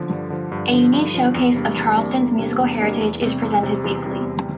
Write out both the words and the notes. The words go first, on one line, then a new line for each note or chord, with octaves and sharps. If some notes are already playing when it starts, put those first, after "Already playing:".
A unique showcase of Charleston's musical heritage is presented weekly.
Already playing: D3 F3
G2
D3 F3
G2
D3 F3
G2
D3 F3
E2
C3 G3 A#3 D4
E2
C3 G3 A#3 D4
E2
C3 G3 A#3 D4
E2
C3 G3 A#3 D4
E2
C3 G3 C4
E2
C3 G3 C4
E2
C3 G3 C4
E2